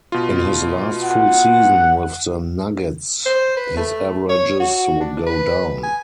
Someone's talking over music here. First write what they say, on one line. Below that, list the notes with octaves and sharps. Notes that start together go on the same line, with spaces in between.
In his last full season with the Nuggets his averages would go down.
B2 F4
F#5
C5
B4
A3
C#5
F#4
D4
B4
G#5